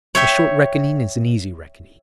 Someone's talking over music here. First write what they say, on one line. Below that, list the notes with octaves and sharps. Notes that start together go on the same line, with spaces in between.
A short reckoning is an easy reckoning.
C#5 E5 G5